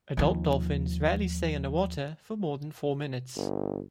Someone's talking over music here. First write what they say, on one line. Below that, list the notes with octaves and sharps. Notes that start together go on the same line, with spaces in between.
Adult dolphins rarely stay under water for more than four minutes.
D#2 F3
G1